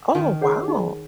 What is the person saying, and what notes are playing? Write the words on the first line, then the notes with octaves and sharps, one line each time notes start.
Oh, wow.
D#3 D#4
G#4 C#5 F#5
D#4